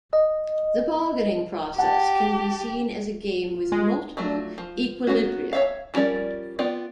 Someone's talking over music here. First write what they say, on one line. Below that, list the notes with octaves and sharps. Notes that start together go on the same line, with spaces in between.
The bargaining process can be seen as a game with multiple equilibria.
D#5
G4 F#5 A5
F4
G#3
F3 F#3 A3
F3
A#3 B3 C#4 F#4
C#5 E5 F5
F3 G3 C#4 A#4 D5
B3 F4 D5 G5